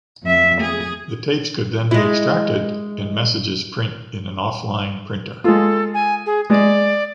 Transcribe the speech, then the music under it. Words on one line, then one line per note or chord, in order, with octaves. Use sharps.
The tapes could then be extracted and messages print in an “off-line” printer.
F2 E5
G#4
G#3 E4
G#3 F4 A4
G#5
G#4
G#3 D5